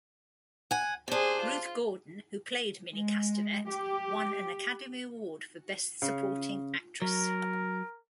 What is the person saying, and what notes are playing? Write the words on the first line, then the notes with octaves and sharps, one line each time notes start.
Ruth Gordon, who played Minnie Castevet, won an Academy Award for Best Supporting Actress.
F#5 G#5
C3 D4 G#4 C5
F4
G#3
G4
C#3
F#3 A#4